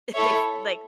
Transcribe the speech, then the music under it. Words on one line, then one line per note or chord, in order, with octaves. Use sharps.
they've, like,
E4 A4 C#5 E5